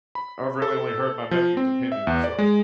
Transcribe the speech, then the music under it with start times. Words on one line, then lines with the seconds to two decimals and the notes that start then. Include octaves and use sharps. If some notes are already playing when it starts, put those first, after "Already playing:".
I I've really only heard my nephew's opinion, so
0.15 B5
0.62 A4
1.31 F3
1.57 C4
1.92 E5
2.07 E2
2.24 D5
2.39 G#3